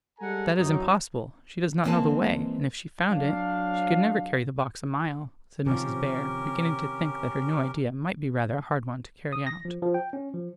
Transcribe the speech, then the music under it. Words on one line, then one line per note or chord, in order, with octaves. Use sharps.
"That is impossible, she does not know the way, and if she found it, she could never carry the box a mile," said Mrs. Bhaer, beginning to think that her new idea might be rather a hard one to carry out.
G3 G#3 A4 F#5 G#5 A#5
F#2 E3 F#3 D#4
E3 G#3 A#3 C4 B4 A5
F#3 D4 F5
C3 D#3 F3 C#4 G4 A#4
D#6
A#6
F3
F3
G5
C#4
F3